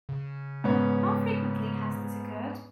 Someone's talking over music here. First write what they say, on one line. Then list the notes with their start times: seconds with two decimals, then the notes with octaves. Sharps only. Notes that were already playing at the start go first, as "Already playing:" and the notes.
How frequently has this occurred?
0.09 C#3
0.64 G#2 B3 C#4